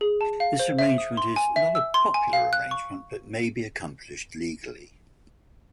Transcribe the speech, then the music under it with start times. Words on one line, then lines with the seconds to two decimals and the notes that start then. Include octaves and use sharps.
This arrangement is not a popular arrangement but may be accomplished legally.
0.01 G#4
0.21 A5
0.40 F5
0.59 C5
0.79 E5
0.98 D#6
1.17 C6
1.36 G#5
1.56 E5
1.75 E6
1.94 C6
2.14 G#5
2.33 F5
2.53 F#6
2.71 C#6